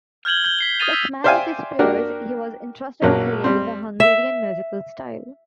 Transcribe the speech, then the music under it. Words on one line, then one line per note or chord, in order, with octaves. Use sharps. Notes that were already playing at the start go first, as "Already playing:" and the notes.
Like many of his peers, he was interested in creating a Hungarian musical style.
F6 G6 G#6 F#7 G7
G6 G7
B6 C7 G7
D#6 F6 G#6 A6 D#7 F7
E6 B6
C5 D5 E5 F5 G5 G#5
A#3 D4 F#4 G4 A#4
A#1 F#3 A#3 C#4
G3 C4
E5